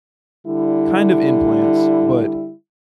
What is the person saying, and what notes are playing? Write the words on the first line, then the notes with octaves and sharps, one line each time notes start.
kind of implants, but
D3 G3 E4